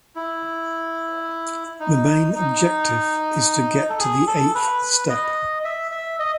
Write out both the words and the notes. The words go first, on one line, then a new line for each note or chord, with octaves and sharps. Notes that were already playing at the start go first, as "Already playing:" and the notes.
The main objective is to get to the eighth step.
E4
D#4
D#4
A4
G#4
A4
B4
D#5
E5
E5
D#5